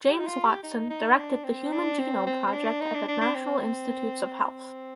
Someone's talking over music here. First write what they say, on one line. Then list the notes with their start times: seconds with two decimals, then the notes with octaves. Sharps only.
James Watson directed the Human Genome Project at the National Institutes of Health.
0.08 G4
0.18 D#4
0.27 F4
0.45 G4
0.63 D#4
0.90 D#4
1.17 D4
1.44 C4
1.72 D4
1.99 C4
2.26 C4
2.46 C4
2.53 D4
2.80 D#4
2.94 D4
3.08 D4
3.21 D4
3.35 C4
4.44 C4